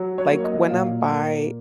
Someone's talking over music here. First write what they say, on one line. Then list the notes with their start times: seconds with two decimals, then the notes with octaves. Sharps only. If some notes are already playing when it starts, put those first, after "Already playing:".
like, when I'm by
Already playing: F#3
0.18 C#5
0.31 A#3
0.44 D#5
0.70 A#2 F5
1.09 A#3